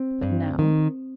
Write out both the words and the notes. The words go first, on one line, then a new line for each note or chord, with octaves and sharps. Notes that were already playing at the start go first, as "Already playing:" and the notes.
But now?
Already playing: C4
G2
D#3